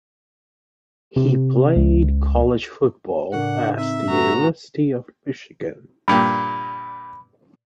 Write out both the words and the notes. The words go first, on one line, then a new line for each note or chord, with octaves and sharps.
He played college football as the University of Michigan.
C3
C#2
A2 C#3 D4 A#4 F#5
C4 D#4 E5
A3 F#4 A4 B4 A#5
G2 A#2 G4 B5